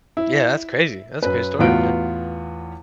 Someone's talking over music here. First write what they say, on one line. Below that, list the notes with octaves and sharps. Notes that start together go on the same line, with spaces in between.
Yeah, that's crazy. That's a great story, man.
E4
F#2 B4
E2 A2 B3 F4 F#4 D7